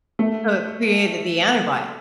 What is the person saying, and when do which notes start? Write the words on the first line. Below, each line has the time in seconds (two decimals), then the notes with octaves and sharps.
So, it created the antibio
0.19 A3